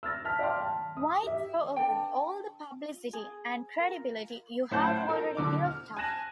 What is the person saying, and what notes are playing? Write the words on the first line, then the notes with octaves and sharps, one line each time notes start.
Why throw away all the publicity and credibility you've already built up?
E6 F6 A6 A#6
A5 F6 B6
D5 F5 G5 A5 C6 F6
A5
D#6
G4 E5
D4 A4 B4 G5
G#4
F4 A#4
A2 C#4 C5 F#5 A5 G6
A4 A#4
B2 D3 D6
F6
G#5 A5 F#6 A#6 E7